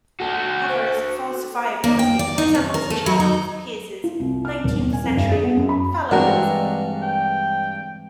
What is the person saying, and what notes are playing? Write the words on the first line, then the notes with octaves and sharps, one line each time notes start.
Popper's falsifiability resembles Charles Peirce's nineteenth century fallibilism.
F#4 A4
C5
A#3
G5
D5
D#4
C3
A#4
A3
F#3
D#4
F4
C2
F6
D#1
B2
G#5
F2
G2
G#4
B3
F#2
B5
G2 E3 G#3 C4 D4 F#4 A#4
G5